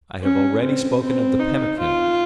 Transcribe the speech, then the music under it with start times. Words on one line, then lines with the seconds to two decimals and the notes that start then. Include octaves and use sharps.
I have already spoken of the pemmican.
0.22 C#4
0.62 C4
1.01 C4
1.39 D#4
1.79 F4